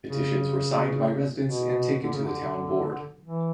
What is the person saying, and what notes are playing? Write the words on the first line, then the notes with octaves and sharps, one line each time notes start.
Petitions were signed by residents and taken to the Town Board.
C#3
B2
D3
C#3
D3
E3